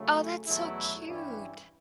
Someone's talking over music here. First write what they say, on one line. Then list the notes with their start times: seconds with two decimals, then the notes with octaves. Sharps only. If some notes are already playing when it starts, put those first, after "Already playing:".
Oh, that's so cute.
Already playing: C#3 F#3 A3
0.46 E2 B2 F#3 A3 E4
1.05 G2 E3 G3 C#4 E4